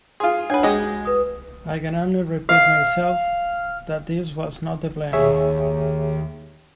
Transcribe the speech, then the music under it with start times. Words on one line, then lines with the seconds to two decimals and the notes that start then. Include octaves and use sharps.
I can only repeat myself that this was not the plan.
0.20 F4 G#4 C6
0.50 D4 B4 C#5 F#5 G#5
0.63 G#3 F#4 G4 D#5 G#5
1.05 B4 D#6
2.49 F5
5.13 D#2 G#4 C#5 E5